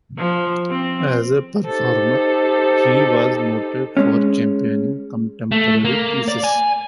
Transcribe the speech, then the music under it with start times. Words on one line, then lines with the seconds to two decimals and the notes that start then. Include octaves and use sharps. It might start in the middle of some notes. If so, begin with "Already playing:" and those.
As a performer, he was noted for championing contemporary pieces.
0.18 F3
0.70 C4
1.65 D#4 G4 A4 C5
3.97 G#3 C#4
5.52 A3
5.85 A#3
6.28 D5
6.44 G#5